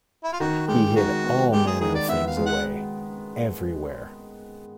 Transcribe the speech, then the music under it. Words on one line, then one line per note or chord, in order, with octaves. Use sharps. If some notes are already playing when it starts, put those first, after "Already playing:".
He hid all manner of things away, everywhere.
E4
F4
D#3 F#4
G#3 G4
D#3 F#4
B3
G#3 G4
G#4
D#3 G#4
D5
B3 E5
F5
G#3
F#5